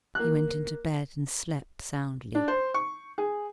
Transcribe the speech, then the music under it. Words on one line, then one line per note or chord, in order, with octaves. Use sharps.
He went in to bed and slept soundly.
A#3 F#6
D4
C5
C#6
G#4